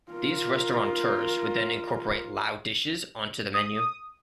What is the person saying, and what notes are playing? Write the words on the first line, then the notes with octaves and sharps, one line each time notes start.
These restaurateurs would then incorporate Lao dishes onto the menu.
F4 A#4
D#6